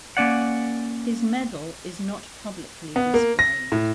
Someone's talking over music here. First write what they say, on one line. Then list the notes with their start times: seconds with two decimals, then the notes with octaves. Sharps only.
His medal is not publicly displayed.
0.17 A#3 C#4 D5 F#5
2.96 B3
3.14 A#3
3.39 A#6
3.72 A2